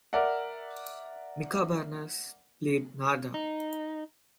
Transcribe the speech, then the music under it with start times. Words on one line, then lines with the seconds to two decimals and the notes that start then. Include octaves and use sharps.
Mica Bernas played Narda.
0.13 A#4 D5 E5 F#5
3.34 D#4